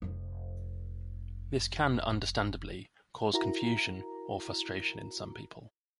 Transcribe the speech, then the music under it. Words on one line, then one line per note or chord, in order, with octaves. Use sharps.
This can, understandably, cause confusion or frustration in some people.
F1 F2
E4 F#4 A#4 A#5